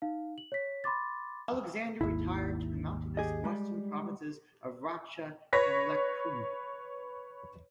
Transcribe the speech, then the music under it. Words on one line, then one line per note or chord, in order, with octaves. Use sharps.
Alexander retired to the mountainous western provinces of Racha and Lechkhumi.
D#4 F5
F#7
C#5 B6
B5 C6 D6 A6
G#1 D#2 E4 E5
G4 G#4 D#5
G3 G#3
B4 C#5 A#6 B6